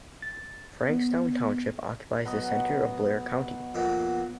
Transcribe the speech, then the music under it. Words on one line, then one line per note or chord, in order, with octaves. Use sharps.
Frankstown Township occupies the center of Blair County.
A6
B3
B2 F#3 D#5
F2 A#2 B3